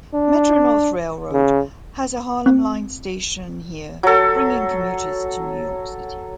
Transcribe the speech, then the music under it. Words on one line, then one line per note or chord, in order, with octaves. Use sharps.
Metro-North Railroad has a Harlem Line station here, bringing commuters to New York City.
D4
C#3
C4
F#3 A4